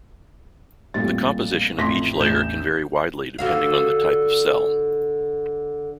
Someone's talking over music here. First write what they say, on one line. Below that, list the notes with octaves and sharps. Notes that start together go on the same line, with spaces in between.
The composition of each layer can vary widely depending on the type of cell.
A1 F2 A#2 G3 G4 A6
A1 F2 C6 A#6 B6
A1 E2 G4 G6 E7
D3 F#4 F5